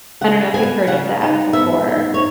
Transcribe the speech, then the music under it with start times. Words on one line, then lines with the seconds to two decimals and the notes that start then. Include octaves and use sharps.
I dunno if you've heard of that before
0.21 C#3 F#5
0.54 B3 G#5
0.87 C#3 F#5
1.21 D#4
1.53 B3 E5
1.88 D#4
2.14 C#5